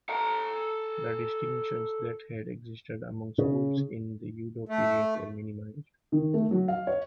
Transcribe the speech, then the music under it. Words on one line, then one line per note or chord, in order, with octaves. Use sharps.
The distinctions that had existed among schools in the Edo period were minimized.
A4 A#5
C#3
A3
D#3
A3
F#3
F5
C#5